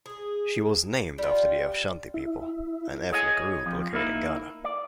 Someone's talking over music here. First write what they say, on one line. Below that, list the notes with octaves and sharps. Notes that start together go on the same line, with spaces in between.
She was named after the Ashanti people, an ethnic group located in Ghana.
G#4
G3 F4
E4
G#4 C#5 D#5 F5 G#5
F2 F3
A#3 D#4 E4
D5